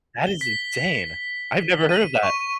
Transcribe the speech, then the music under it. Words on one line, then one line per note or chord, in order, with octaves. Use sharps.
That is insane. I've never heard of that.
G7
B6
D#7
C#6